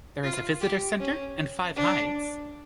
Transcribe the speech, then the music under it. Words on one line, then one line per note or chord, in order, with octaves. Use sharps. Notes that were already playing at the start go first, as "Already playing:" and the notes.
There is a Visitor Centre and five hides.
F4
G4
C#4
D4